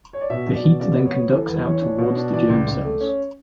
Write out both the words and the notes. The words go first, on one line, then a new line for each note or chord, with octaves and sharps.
The heat then conducts out towards the germ cells.
C#5
D5
B2 E5
B2
D5
B2
C#3 D5
B3
C#5
B3
E3 A4
E2 B4
E3 C#5
D4
B2
D4
E3 D5
C#2
C#2
A3
C#4